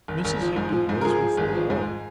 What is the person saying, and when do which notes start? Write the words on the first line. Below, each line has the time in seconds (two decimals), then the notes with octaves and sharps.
Mrs Higden goes before all.
0.08 G#1
0.25 G#1
0.41 F3
0.56 G#2
0.72 F3
0.89 G#2
1.01 A#4
1.05 F3 G#4
1.21 F3
1.37 G#1
1.54 F3
1.70 G#2